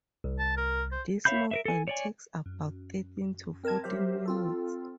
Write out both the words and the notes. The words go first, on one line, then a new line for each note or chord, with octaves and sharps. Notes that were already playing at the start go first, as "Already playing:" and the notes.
This movement takes about thirteen to fourteen minutes.
C2
A5
A#4
C5
C#5 E5 F5 B5 G6
A#4 B4 E5
A4 G#5
C#5 D5 G#5
F#2
C4 A#4 D#5 A5 G#6
F#3 G4 A#4 C5 E5
C4 F4 A4